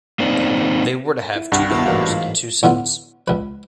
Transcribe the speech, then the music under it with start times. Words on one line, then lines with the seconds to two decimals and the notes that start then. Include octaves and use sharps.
They were to have two daughters and two sons.
0.20 A#3 C4 D#4 C5 D5
1.35 E4
1.52 C2 G2 G4 F#5
1.70 D#2 B2 A#3 E4 F#4
1.86 A1 G#2 F#3 A#3 B3
2.08 F4
2.63 A2 D3 B3 F4
3.28 C#2 B4